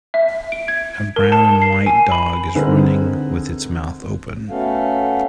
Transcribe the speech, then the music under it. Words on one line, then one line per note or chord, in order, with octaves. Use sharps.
A brown and white dog is running with its mouth open.
E5
D7
G#6
A#4
A5
C7
G#5
B5
D3 C4 D#4 G#4 A#4 B4
A3 B3 C#4 F#4 A4 F5